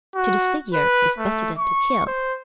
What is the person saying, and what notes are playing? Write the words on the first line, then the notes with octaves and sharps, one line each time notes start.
To disfigure is better than to kill.
F#4
B4
A3
C#6
C5